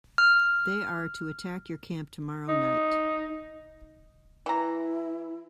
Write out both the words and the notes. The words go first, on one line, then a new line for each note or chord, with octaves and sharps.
They are to attack your camp tomorrow night.
F6
D#4
E3 E4 A#5